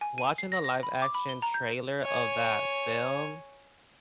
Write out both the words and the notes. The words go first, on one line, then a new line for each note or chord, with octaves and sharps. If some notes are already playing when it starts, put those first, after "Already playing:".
watching the live-action trailer of that film
G#5
D#7
C7
A#6
A#6
B5
D6
B5
G7
A#5
G6
C#5 G#5